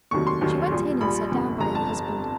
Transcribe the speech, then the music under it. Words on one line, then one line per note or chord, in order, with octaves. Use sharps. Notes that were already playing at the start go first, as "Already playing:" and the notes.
She went in and sat down by her husband.
F1 D#2 D#3 F#3 C#6
C6
F1 D#2 D#3 F#3
A#1 A#2 G3
A#1 A#2 G3 B5
G1 F2 C3
G1 F2 C3 A#5
A5